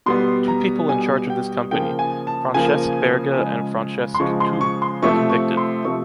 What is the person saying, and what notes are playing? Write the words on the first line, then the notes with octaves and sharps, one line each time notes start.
Two people in charge of this company, Francesc Berga and Francesc Tous, were convicted.
B2 G3 B3 C6
A#5
B2 G3 B3 G#5
G5
C#3 F3 A#3 G5
G#5
A5
C#3 F3 A#3 G#5
C#3 F3 G#3
C6
C#3 F3 G#3 C#6
C6
C#6
C6
C3 F3 A3 C4 C#6
C#6
C6
C3 F3 A3 C4 C#6